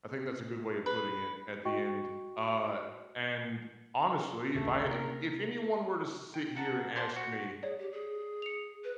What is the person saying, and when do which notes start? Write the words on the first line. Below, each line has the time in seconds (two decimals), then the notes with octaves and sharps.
I think that's a good way of putting it at the end, uh, and honestly, if I i if anyone were to sit here and ask me,
0.86 B4
1.65 F#4 D#5 G5 C#6
4.55 A1 D#2 C#3 A3
4.85 C3 A#3 A#4
6.34 G5
6.55 A#4 F#5 A5 A#5
6.96 C5 D5 A5 D6
7.16 F#4
7.63 G#4 C#5 D5
7.79 G4
7.92 G#4
8.42 C#7 F7
8.84 B4